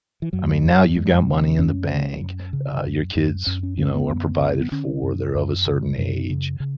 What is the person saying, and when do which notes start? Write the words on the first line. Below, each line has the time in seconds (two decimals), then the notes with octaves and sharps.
I mean, now you've got money in the bank, uh, your kids, you know, are provided for, they're of a certain age,
0.22 E3
0.33 F#2 F#3
0.65 F#2
0.96 F#2 G#3
1.27 C#3
1.59 F#2 C#4
1.90 C#3
2.21 F#2
2.53 C#3
2.85 F#2
3.15 F#2
3.46 F#2 C#4
3.63 C#4
3.78 D3 C#4
3.95 B3
4.09 F#2
4.41 D3
4.61 B3
4.72 D3 C#4
5.03 F#2
5.35 F#2
5.66 C#3
5.98 F#2
6.29 C#3
6.60 C#3